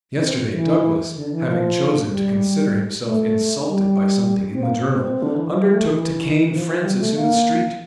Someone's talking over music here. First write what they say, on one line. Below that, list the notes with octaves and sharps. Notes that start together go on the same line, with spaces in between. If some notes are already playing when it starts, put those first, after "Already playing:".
Yesterday Douglas, having chosen to consider himself insulted by something in the 'Journal,' undertook to cane Francis in the street.
C4
E3
D3
E3
F3
G3
A3
G3
C4
A#3
C4
C4
D3
E3
F3
G3
A3
E3
F3
F3
G3
A3
A#3